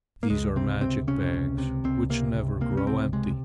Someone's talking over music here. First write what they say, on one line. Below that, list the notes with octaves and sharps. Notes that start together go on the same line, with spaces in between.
These are magic bags which never grow empty.
A#3
C#2 G#3
C3 C4
C#2 C4
C3 C#4
C#2
C3
C#2 C4
C3 A#3
C#2
C3 A#3
C#4
C#2 C4
C3 G#3